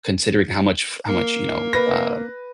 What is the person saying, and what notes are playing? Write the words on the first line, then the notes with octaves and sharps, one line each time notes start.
considering how much fu how much, you know, uh,
A#3
B4 A#6